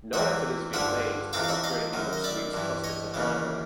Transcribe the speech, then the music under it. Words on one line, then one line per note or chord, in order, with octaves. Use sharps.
No effort has been made to upgrade the obsolete transmitter hardware.
E2 C3 E3 E5 F#5
G2 D3 F3 E5 F#5
F2 C3 E3 F5 G5
F5
E5 F#5
D#5 F5
F#2 D#3
D#5
D5 E5
G2 E3
C#5 D#5
D#2 C#3 E3